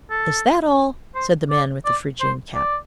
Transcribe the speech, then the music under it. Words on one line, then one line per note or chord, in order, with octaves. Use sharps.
"Is that all?" said the man with the phrygian cap.
A4
C5
D5
D5
C5
D5